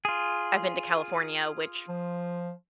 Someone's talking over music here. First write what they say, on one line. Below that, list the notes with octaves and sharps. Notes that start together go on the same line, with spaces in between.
I've been to California, which,
F4 G#4
F3